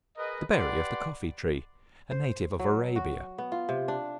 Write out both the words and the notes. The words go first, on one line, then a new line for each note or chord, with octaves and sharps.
The berry of the coffee-tree, a native of Arabia.
G#4 A#4 B4 D#5
G4 B4 D5 F#5 C6
C5
F#3
F#4
B3
F4
C3
D4